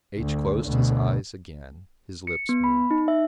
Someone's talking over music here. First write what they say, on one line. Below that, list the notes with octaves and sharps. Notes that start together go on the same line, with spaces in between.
H-- closed his eyes again; his lips moved.
D2
D2 B2
C#7
B3
B5
D#4
E5